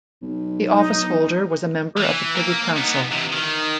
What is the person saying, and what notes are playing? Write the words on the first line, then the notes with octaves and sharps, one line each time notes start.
The office holder was a member of the Privy Council.
B1
D#4
E3
A#3
B3 D#4
C3 E3
D#3